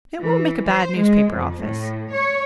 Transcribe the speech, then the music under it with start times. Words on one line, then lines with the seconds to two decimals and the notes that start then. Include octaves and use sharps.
It won't make a bad newspaper office.
0.21 E3
0.68 C5
0.98 G#3
1.31 F2
1.60 A2
2.11 C#5